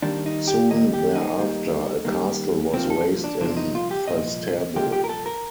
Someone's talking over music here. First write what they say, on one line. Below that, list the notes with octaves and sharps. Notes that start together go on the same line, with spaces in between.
Soon thereafter a castle was raised in Falsterbo.
D#2 D#3 G3 A#3 D4
D#4
G4
D#2 D#3 G3 A#3 D#5
G4
D#4
D#2 D#3 G3 A#3
D#2 D#3 G3 A#3
C2 A#2 F3 A#3 C4
A4
D4
C2 A#2 F3 A#3 D4
D#4
F4
G4
C2 A#2 F3 A#3 D#5
C2 A#2 F3 A#3 G4
G4
A#4
A4
A#4